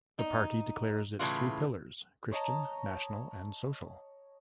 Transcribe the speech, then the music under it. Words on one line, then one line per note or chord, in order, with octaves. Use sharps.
The party declares its three pillars: Christian, national and social.
D#4
A2 C#3 E3 F4
C#5 D#5 A5 A#5